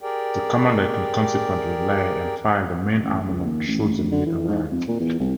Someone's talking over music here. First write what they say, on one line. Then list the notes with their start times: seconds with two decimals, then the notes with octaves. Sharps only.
The commander can consequently lay and fire the main armament should the need arise.
0.01 G4 G#4 A#4 D5 G5
3.03 A1
3.29 C#2
3.45 D#2
3.67 A1
3.97 D2
4.11 D3
4.26 E3
4.48 G#2
4.72 F2
4.88 A#2
5.00 E2
5.20 C2